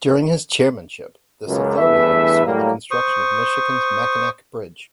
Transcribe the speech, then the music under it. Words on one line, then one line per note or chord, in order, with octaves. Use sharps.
During his chairmanship, this authority oversaw the construction of Michigan's Mackinac Bridge.
C#2 F#2
E2 G2 E3 A3 B4 E5
A2 F#3 G3 A#3
C5 C#6 D#6